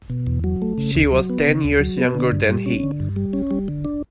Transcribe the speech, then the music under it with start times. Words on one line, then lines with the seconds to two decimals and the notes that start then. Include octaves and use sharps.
She was ten years younger than he.
0.10 B2
0.27 E2
0.44 F#3
0.62 A3
0.78 C#3
0.95 D2
1.12 F#3
1.30 B3
1.47 C#3
1.64 D2
1.80 F#3
1.98 B3
2.15 D3
2.32 G2
2.49 G3
2.66 C#4
2.83 D3
3.00 G2
3.16 G3
3.33 C#4
3.51 G3
3.68 D3
3.85 D4